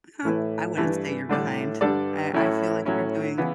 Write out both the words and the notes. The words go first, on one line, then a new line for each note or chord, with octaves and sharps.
Uh, I wouldn't say you're behind. I I feel like you're doing
A2 E3 A3 E4 B4
G2 E3 A3 E4 B4
A2 D3 G3 D4 A4 D5
G2 D3 G3 D4 A4 D5
A2 F#3 C#4 E4
A2 F#3 C#4 E4
C#3 E3 B3 E4